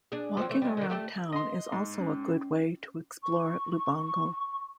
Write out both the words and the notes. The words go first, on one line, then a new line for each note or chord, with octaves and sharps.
Walking around town is also a good way to explore Lubango.
D4 G#4
F3 F#3 C4
E3 A3
G3 G#3
D3 D#3
A3 G4 A4
D#5 C6
G#2
C#4
C#6